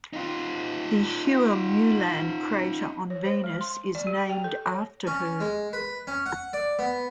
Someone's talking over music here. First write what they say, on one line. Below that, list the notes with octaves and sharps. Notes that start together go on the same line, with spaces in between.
The Hua Mulan crater on Venus is named after her.
D#4 F4
C#5
C5
G#3
C6
D5
G4
G5
A4
C#5
C#4
G#3
B4
C#4
F#5
D5
B3